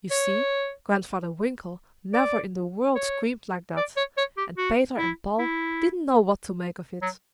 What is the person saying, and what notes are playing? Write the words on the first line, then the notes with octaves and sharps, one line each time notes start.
You see, Grandfather Winkle never in the world screamed like that, and Peter and Paul didn't know what to make of it.
C#5
D5
C#5
D5
C#5
C#5
G4
F#4
E4
E4
F#3